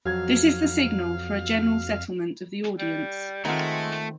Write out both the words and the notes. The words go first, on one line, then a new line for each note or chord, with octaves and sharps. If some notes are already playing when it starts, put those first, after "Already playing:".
This is the signal for a general settlement of the audience.
F2 F#3 F5 G#6
G3
D#3 G#3 A3 C4 F4 F#5 A#5